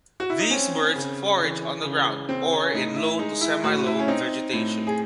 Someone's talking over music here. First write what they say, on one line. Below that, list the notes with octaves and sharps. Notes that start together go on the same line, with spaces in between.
These birds forage on the ground or in low to semi-low vegetation.
F#4
E4
D#4
C4 C#4
C#3
E3
C#3
C4
C#4
A2 D#4
E4
G#3 D#4
E4
A2 F#4
E4
C#4
C4 D#4
A2
G#4